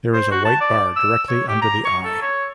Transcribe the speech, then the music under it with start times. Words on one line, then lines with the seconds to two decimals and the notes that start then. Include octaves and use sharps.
There is a white bar directly under the eye.
0.14 C5
0.31 F#4
0.45 A5
0.61 D5
0.96 E6
1.29 C#5
1.48 G4
1.62 A#5
1.85 C#6
2.05 A4
2.22 C#5